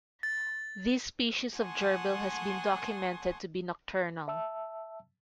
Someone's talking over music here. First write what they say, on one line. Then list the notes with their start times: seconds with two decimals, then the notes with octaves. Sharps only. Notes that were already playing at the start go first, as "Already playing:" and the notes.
This species of gerbil has been documented to be nocturnal.
0.23 A6
1.57 F#5 G#5 A5 C6 C#6 D#6
4.28 E5 A5 E6